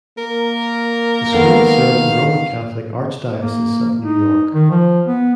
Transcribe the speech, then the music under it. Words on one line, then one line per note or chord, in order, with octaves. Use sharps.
The school serves the Roman Catholic Archdiocese of New York.
A#3 A#4
D#3 B3 A4 F5
A#3
D#4
D#3
F3
B3